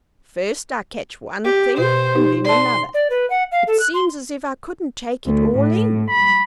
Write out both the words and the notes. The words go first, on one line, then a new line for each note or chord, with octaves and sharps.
First I catch one thing and then another; it seems as if I couldn't take it all in.
G4
B2 C5
D#4 G4
D5 A5 C6
D5
B4
F#5
F5
A4
F#6
C6
D2
A2
B5